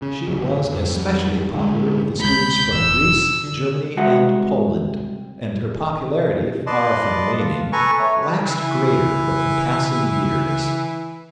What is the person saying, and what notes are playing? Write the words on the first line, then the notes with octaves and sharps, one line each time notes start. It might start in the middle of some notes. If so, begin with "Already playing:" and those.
She was especially popular with the students from Greece, Germany and Poland, and her popularity, far from waning, waxed greater with the passing years.
C#3
G#1 D2
F2
F2 F#3 G3
D3 G#3
D2 C3 G#3 B5 G6
F1 A2 E3 E6
D3
C2 G#3 F#4 E5 F#5
B4 D5 D#5 A5 C6
F4
A4 B4 G#5 A#5 C#6
A3 C#5
B4
C#3 E3